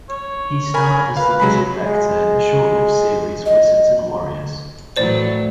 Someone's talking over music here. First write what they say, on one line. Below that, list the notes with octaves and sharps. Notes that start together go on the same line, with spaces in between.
He starred as the wizard Vector in the short-lived series "Wizards and Warriors".
C#5
A#4 G#5 B5
B4 F5
F#3 G#3 B5
G#3
D#5
A2 E3 F#3 C5 D5